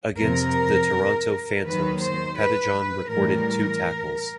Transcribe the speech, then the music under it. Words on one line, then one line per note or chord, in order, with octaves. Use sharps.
Against the Toronto Phantoms, Pettijohn recorded two tackles.
F2 C3 F3 A#4
D#2 D#3 F#3 B4
C5
B4
A2 E3 G3 A#4